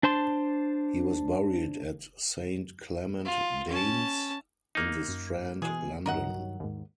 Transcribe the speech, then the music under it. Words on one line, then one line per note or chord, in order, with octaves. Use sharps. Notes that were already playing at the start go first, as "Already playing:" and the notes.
He was buried at Saint Clement Danes in The Strand, London.
D4 C5 A5 C6
F4
C#4 A5
A#3 D#4
F#2
B2 E3 G#3 G#4
G2 D#3 F#3 A#4 D#5 F#5
D#2 G#2